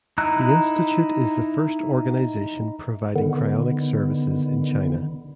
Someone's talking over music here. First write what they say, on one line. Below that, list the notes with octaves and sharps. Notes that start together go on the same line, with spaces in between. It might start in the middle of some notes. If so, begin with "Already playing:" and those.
The institute is the first organization providing cryonics services in China.
D#4 E4 A#5 E6 F#6
D3 D#3 B3